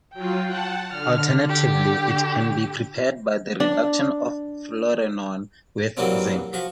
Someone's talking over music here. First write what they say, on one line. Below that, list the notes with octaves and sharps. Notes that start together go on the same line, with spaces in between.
Alternatively, it can be prepared by the reduction of fluorenone with zinc.
F#3 F4 G5
F#5 A5
D3 F6
G4
D4
G2 A#2 E3 F#3 A#3 C4
F3 F#4